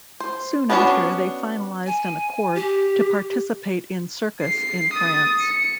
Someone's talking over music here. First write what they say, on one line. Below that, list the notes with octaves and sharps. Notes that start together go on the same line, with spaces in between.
Soon after, they finalized an accord to participate in circus in France.
C5
G3 B3 C#4 D4 F#4
G#5
G4
C7
D#6 A6
C#7